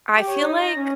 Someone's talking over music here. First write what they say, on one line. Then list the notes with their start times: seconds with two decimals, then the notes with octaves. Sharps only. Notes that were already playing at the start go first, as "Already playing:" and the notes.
I feel like,
0.13 G4
0.27 C#5
0.41 D#4
0.59 A#6
0.75 C#4